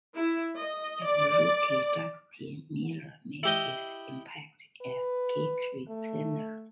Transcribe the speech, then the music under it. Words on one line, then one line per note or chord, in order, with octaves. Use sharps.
As a rookie, Justin Miller made his impact as kick returner.
E4
D#5
D5
E4 G4 D#5
B4
A3